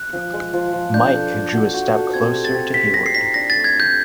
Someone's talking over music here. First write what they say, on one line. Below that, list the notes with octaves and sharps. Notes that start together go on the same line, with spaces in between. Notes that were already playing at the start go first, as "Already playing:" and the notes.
Mike drew a step closer to Hayward.
Already playing: F#6
F3
G#3
F3
F3
D4 G6
A4
A4
F#4
F#4
A4
C4 G#6
G4
A6
C4
G4 B6
G4 A#6
C7
D#4 B6
D4 A#6
A6
A3
G#6
D4 G6